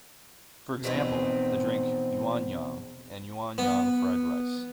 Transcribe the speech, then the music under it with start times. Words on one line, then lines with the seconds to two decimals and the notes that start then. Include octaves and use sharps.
For example, the drink yuanyang and yuan-yang fried rice.
0.83 E2 B2 F3 G3 C4 D#4
3.58 B3